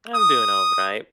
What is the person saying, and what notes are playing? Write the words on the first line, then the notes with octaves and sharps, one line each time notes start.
I'm doing alright.
D#6